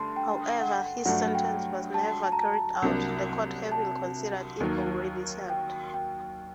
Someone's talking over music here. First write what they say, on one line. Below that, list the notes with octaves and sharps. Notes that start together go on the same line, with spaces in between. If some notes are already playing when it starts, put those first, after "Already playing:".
However, his sentence was never carried out, the court having considered it already served.
Already playing: G2 D3 A3 A5 C6
G5
F#5
G2 F#3 A3 D4 F#5
G5
A5
A5
A#5
A5
A5
C2 C3 F#3 A#3 D4
A5
D#2 D#3 F#3 A#3
G5
G5